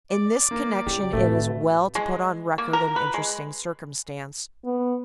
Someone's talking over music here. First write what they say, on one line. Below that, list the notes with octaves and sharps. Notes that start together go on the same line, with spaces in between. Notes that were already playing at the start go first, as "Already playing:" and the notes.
In this connection it is well to put on record an interesting circumstance.
D5
A#3
C#3 G4
A2 C3 A3 F#4 B4 E5
G#3
A#3
A#4
B4
G#3
B3